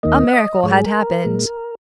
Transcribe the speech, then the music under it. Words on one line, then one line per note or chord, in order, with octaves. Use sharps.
A miracle had happened.
D#2 D#3 A#3 D#5
F#5
D#5
G#2 G#3 C#5
A#4
G#4
A#4
A#2 G#3